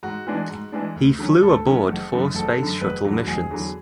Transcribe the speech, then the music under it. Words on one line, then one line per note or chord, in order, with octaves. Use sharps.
He flew aboard four Space Shuttle missions.
G#2 F#4
E3 G#3 D4
G#2
E3 G#3 D4
D2
D3 F#3 C#4
D2 A4
D3 F#3 C#4
F#1
F#2 D3
F#1 A4
F#2 D3
F#1 B4
E2 D3 F#3
F#4
F#1 G#4
E2 D3 F#3